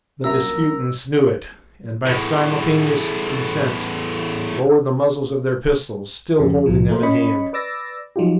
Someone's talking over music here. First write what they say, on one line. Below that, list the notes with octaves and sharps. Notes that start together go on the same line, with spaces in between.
The disputants knew it; and by simultaneous consent lowered the muzzles of their pistols--still holding them in hand.
G2 A#2 F#3 C#4 A#4 E5 A#5 E6
E2 A2
F2 C#3 G4
C2 A2 F3
A3 A#3 A#4 C5
C#4 C#5 D#5 B5 C#6
B4 D5 D6 E6 A6 A#6
F3 F#3 D#4 F4 G4